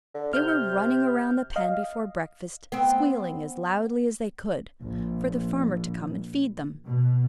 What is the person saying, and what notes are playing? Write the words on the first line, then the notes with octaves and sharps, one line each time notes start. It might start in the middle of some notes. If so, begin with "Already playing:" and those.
They were running around the pen before breakfast, squealing as loudly as they could, for the farmer to come and feed them.
D3
C3 F6 G6
D#5 F5
B3 C4
A#1
B2